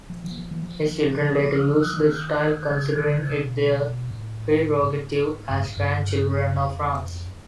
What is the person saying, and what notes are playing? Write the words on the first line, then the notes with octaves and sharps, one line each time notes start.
His children later used the style, considering it their prerogative as grandchildren of France.
F3
E3
F3
F3
E3
F3
F3
E3
D#3
C#3
D#3
D3
C#3
C3
B2
A2
G#2
G2
G#2
G2
F2